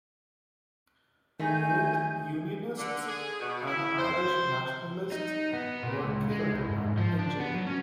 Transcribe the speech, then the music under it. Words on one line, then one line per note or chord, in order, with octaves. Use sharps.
Both unionists and Irish nationalists were killed and injured.
D#3 A3 D#4 G#4 G#5 G6
D3
G#4
B2
E4
C5
D#4
B3
A#2
C#2
G#3
C2
G#2
F3
D4
B3
F#3
C#4